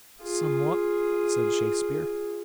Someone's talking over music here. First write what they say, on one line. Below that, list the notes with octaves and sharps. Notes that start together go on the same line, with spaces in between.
"Somewhat," said Shakespeare.
F4 G#4